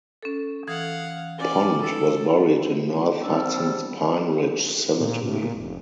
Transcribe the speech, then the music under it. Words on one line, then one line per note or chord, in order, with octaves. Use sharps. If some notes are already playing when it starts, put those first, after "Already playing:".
Pond was buried in North Hudson's Pine Ridge Cemetery.
C#4 A4
E3 A4 F5 F#5 D#6
C#4 D5
D#4 A4
F3 G3 C4 D4 A4
A#2
A2
A#2
F1